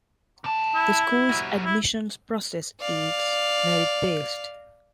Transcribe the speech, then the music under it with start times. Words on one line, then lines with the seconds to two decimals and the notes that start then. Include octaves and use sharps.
The school's admissions process is merit-based.
0.44 C3 A5
0.75 E4
1.29 G3 F#4
1.65 E4
2.81 D5 F5